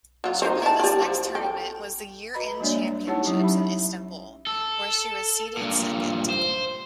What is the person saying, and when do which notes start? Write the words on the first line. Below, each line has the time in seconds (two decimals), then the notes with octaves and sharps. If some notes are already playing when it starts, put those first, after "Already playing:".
Sharapova's next tournament was the year-end championships in Istanbul, where she was seeded second.
0.24 F#3 F4
0.42 D#4 C5
0.62 E4 A5
0.79 G4 D5
1.01 F3
1.35 A4 G5
2.34 F#4 B4 D#5 A#5 B5
2.60 G3 G#3 A#3 D4 C#5 D5
3.07 D#4 E4 G4 C#5 F#5 A5
3.25 F#3 C#4 D#4 G4
3.40 E5 B5
3.62 E5
4.47 A4
5.57 G2 A#2
6.30 C5